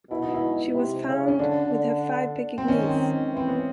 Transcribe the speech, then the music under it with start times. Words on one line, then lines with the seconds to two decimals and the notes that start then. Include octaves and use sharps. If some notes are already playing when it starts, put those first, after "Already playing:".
She was found with her five Pekingese.
0.10 B2 E4
0.22 D#4
0.34 E4
0.75 C3
1.07 C#3
1.28 C#4
1.39 D3 D4
1.72 D3
2.58 C4
2.68 D#3 C#4
2.89 C4
3.32 E3 C4
3.48 B3